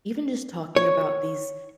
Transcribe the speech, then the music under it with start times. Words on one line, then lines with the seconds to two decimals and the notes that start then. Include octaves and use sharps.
Even just talking about these
0.76 C#5